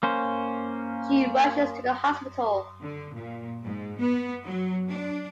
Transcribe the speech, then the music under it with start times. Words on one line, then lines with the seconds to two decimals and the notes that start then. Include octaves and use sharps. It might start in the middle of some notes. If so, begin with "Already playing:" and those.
She rushes to the hospital.
0.03 A#3 C#4 C5
2.81 D3
3.15 A#2
3.64 G#2
3.99 B3
4.45 F#3
4.89 D4